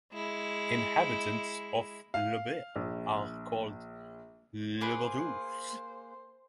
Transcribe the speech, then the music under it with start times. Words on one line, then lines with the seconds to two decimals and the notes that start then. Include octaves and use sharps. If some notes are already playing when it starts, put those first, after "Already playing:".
Inhabitants of Laubert are called "Laubertois".
0.12 G#3 E4
2.14 F5
2.76 A#1
4.81 A#3 G#4 B4 C5